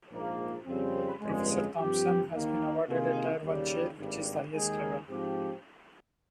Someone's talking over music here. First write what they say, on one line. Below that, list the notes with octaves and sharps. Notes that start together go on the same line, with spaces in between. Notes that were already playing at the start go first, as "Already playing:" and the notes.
Professor Thompson has been awarded a Tier I chair, which is the highest level.
A#1 G#2 F3 A#3
F2 C#3 G3 C4
G1 F2 C#3 G#3
G2 F3 C4 G4
D#2 D#3 A#3 D#4
C3 D#3 A#3 F4 G#4
D#2 C#3 G3
G#1 G2 G3
D#2 D#3 G#3 D#4 G#4
G#2 F3 C4 G4